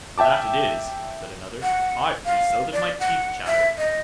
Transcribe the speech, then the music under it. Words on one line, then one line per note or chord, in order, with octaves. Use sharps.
'That it is', said another; 'I freeze so, that my teeth chatter.'
E5 G5 A5 D6
F#5
F5
D5
F#5
E5
D#5